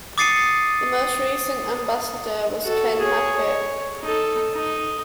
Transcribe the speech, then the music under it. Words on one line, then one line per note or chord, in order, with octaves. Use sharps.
The most recent Ambassador was Ken Hackett.
D6 D#6 A6 C7 C#7 D#7
F#4 A4
G#4 C#5
C#5
D#4 A4
D#4